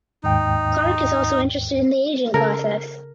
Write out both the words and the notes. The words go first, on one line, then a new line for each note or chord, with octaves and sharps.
Clarke is also interested in the ageing process.
D#2 G#2 D#4 G5
C#3 A4 A#4